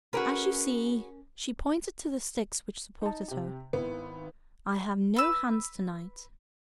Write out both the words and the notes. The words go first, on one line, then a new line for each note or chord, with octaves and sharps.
As you see"--she pointed to the sticks which supported her--"I have no hands to-night.
C#4 F#4 G#4 A#4 B4
D#4 A5
C3 G4
G#1 D#3 B3 E4
B4 E6